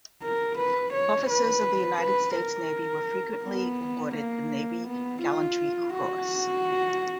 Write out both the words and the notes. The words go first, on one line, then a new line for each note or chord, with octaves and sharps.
Officers of the United States Navy were frequently awarded the Navy Gallantry Cross.
A#4
B4
C#5
B4
B4
A#4
B3
A#3
B3
F4
F#4